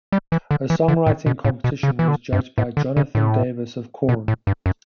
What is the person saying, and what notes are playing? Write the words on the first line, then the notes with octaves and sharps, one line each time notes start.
A songwriting competition was judged by Jonathan Davis of Korn.
G3
E3
D3
E3
D3
A2
B2
A2
B2
C#3
E3
D3
G2
A2
D3
C#3
A2
B2
A2
G2
F#2